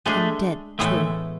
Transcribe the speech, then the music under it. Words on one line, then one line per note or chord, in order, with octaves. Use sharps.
And dead too.
G#3 A3 D4 G#4
A2 E3 G#3 A3 B3 E4